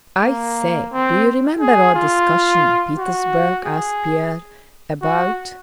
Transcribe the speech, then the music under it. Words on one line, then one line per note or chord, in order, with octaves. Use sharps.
"I say, do you remember our discussion in Petersburg?" asked Pierre, "about..."
A#3
C4
G#4
F4
F#4
G#4
F#4